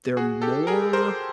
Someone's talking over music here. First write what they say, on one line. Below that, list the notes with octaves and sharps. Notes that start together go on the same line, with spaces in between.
they're more
F#4 G#4
G4 A4
G#4 A#4
A#4 C5